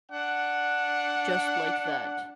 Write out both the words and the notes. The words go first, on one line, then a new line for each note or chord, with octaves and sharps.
Just like that.
D4 F#5